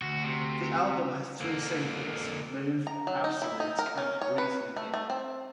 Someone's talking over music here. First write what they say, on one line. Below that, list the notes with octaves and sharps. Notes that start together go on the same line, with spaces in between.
The album has three singles: "Move", "Absolute" and "Breathe You In".
D2 F#4
C3
D3 A#3
A#5
F#3
D#4
E4
D#4
A#4
C#4
C#5
B4
A3
A3
C4